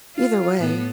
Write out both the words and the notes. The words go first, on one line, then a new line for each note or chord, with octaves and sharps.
either way,
F4
A2 B3